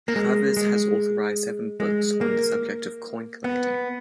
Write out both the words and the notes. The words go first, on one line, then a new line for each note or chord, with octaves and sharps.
Travers has authored seven books on the subject of coin collecting.
A#3
G#3
G#3
G#3
A#3
B3